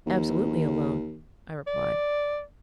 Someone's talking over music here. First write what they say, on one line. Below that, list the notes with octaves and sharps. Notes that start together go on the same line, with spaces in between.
"Absolutely alone," I replied.
D#2
D5